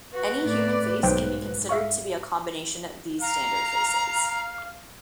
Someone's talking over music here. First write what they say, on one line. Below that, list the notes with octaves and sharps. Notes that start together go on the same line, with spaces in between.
Any human face can be considered to be a combination of these standard faces.
F#4 B4
A2 D5
B1 G#2 C5 G5
E5 F5 C#6
F5 A#5